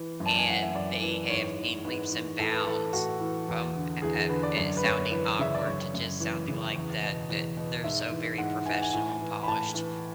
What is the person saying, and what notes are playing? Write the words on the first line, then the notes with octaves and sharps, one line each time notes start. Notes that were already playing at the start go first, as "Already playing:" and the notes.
and they have came leaps and bounds from uh uh uh uh, sounding awkward to just sounding like that that they're so very professional and polished.
Already playing: E3
F#2
A5
G#5
E3 F#5
E5
F#2 D5
E3
G#2 C#5
E3
G#2 B4
E3
A2 A4
B4
E3 A4
A2 F#4
E3
E2
D3
E2 G#4
G#4
D3 B4
D5
F#2 D5
B4
F#2 C#5
E3 B4
C#3 E5
D5
F#2 C#5
F#2
E3
C#3
E2
B2
E2
B2
G#2 E5
E3
G#2 F#5
E3 G#5
F#5
G#5
A2 G#5
E3
B5
A2 A5
E3